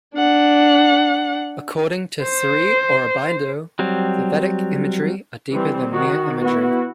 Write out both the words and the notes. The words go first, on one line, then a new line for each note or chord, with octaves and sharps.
According to Sri Aurobindo, the vedic imagery are deeper than mere imagery.
D4 F#5
C5
F#3 G3 C4
E3 G3 C4
D#3 F#4
B3 E4 F#4